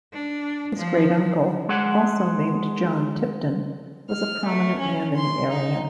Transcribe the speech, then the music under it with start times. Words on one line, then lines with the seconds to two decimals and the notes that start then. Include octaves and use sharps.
His great uncle, also named John Tipton, was a prominent man in the area.
0.13 D4
0.76 F3
1.68 G#3 G#4 F#5
4.11 F6
4.46 A3
4.80 C#4
5.17 C6
5.49 D#4